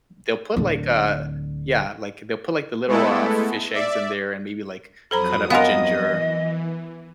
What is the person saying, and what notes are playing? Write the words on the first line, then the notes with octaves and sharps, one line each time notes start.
they'll put, like, a Yeah, like, they'll put, like, the little, uh, fish eggs in there and maybe, like, cut up ginger.
D1 D3
G#3 A3 B3 E4 A4
D5 E5
F2 F#3 A4 C5 A#5 B5 D#6
B3 A#4 D#5 F5 G#5 C6
E3